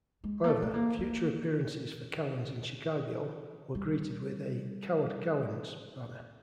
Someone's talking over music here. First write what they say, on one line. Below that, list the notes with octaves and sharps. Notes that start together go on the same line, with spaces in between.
However, future appearances for Cowens in Chicago were greeted with a "Coward Cowens" banner.
G#3
A#3
A3
A3
A#3
A#3
G3